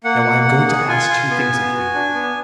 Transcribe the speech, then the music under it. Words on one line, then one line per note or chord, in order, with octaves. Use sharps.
"Now I am going to ask two things of you."
A#3 F#5
A#3
A#3
G#4
F4 G#5
F4
B3
B3
F#4
D4
B3